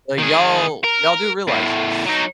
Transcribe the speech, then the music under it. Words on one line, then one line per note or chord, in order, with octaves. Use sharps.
Like, y'all y'all do realize this."
D#3 G#4
A#4
E2 A2
F#3 D#4